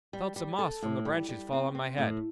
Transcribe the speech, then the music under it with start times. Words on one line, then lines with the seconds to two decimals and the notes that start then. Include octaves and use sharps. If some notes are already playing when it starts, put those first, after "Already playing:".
I felt some moss from the branches fall on my head.
0.13 G3
0.36 G3
0.59 A4
0.82 A2
1.05 G3
1.29 G3
1.53 C4
1.75 C4
1.98 A2